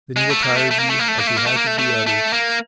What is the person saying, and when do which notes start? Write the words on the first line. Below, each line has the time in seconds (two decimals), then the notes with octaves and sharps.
Then he will tire of you as he has of the others.
0.17 G#3
0.30 A3
0.43 A#3
0.56 A3
0.71 A3
0.79 A#3
0.90 A3
0.99 A#3
1.08 A3
1.18 A#3
1.27 A3
1.37 A#3
1.46 A3
1.57 A#3
1.67 A3
1.78 A3
2.07 A3
2.33 A#3